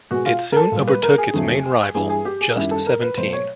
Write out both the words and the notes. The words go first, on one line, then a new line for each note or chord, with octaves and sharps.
It soon overtook its main rival, Just Seventeen.
B2 G#3 F#4
F4
A#4
A4
A#2 G3
B4
A#4
G#4
F2 D3 F#3 A3
G2 E3 G3 G#4
G#4
G4
G#4
F#2 D#3 G3 E4
A4
A#4
B4
B2 F#3 A3 C5
C#5